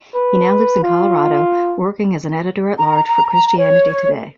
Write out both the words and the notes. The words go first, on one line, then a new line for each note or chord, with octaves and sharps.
He now lives in Colorado, working as an editor-at-large for "Christianity Today".
B4
F4
A#5
C#5